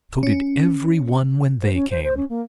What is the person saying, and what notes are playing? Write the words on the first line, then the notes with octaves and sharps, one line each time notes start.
So did every one when they came.
C#4
C5
C#4
C5
C5
C#4
A#3